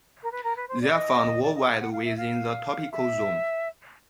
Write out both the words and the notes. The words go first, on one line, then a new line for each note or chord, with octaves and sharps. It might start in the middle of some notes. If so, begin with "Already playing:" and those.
They are found worldwide within the tropical zone.
A#4
B4
A#4
B4
C5
D5
D#5
D5
D#5
F5
F#5
F5
E5
F5
E5